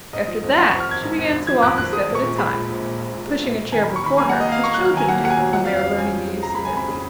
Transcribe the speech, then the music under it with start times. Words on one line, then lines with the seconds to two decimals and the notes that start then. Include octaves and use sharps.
After that she began to walk a step at a time, pushing a chair before her, as children do when they are learning the use of their feet.
0.13 G#2 D#5
0.28 F3
0.43 G#1
0.58 F3 F#5
0.69 C#6
0.73 G#1
0.80 F6
0.88 G#1 G#6
1.02 G#2
1.18 G#1
1.32 G#1
1.47 F3 G#6
1.62 G#1 F#6
1.78 G#1 F#6
1.92 G#3 D#6
2.08 A#1
2.15 C#6
2.23 A#2
2.38 G#3 B5
2.53 A#2
2.68 A#1
2.83 A#2
2.98 A#1
3.13 A#2
3.27 G#3
3.43 A#1
3.57 A#1
3.72 D#3 G#5
3.84 B5
3.87 D#2
3.96 C#6
4.04 D#3 B5
4.18 A#3 G#5
4.29 F#5
4.32 A#3
4.40 D#5
4.48 A#3 F5
4.63 A#3 C#6
4.74 F#6
4.78 F#3
4.85 F6
4.94 D#3 G#5
5.08 A#3 F#5
5.24 D#2 F#5
5.30 G#5
5.39 F#3
5.53 F3 F#5
5.65 F5
5.68 F2
5.76 F5
5.83 C#3
5.98 F3 G#5
6.13 F3
6.28 G#3
6.43 C#3 A#5
6.55 B5
6.58 G#3
6.65 G#5
6.74 F2 B5
6.88 C#3